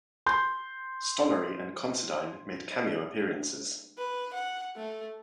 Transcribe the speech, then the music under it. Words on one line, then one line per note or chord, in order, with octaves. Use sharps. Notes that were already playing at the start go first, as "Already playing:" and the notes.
Stollery and Considine made cameo appearances.
C6 G6
B4
F#5
A3